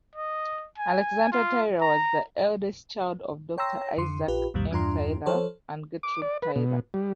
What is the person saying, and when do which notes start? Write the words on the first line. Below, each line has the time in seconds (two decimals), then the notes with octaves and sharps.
Alexander Taylor was the eldest child of Doctor Isaac M. Taylor and Gertrude Taylor.
0.16 D#5
0.78 G#5
1.33 F4
1.81 A#5
3.58 C#5 G5 A#5 C6 E6 A#6
3.98 F2 D3 C6
4.28 A#1 F4 G4 B4
4.54 C2 F2 A#2 D#3 G3
4.71 E2 G2 D4 F4 A#5 C6
5.26 F3 A4 C5 C#5
6.03 D6
6.22 D5
6.42 B4
6.56 B2
6.94 G3